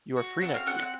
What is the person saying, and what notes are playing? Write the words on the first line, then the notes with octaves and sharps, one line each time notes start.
You are free next week.
F#4
C4 F#5
F5
C4 F#5
F#5